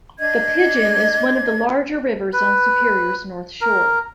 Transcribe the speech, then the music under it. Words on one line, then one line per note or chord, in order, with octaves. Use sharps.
The Pigeon is one of the larger rivers on Superior's North Shore.
D4 D#5 G#6
B4
A#4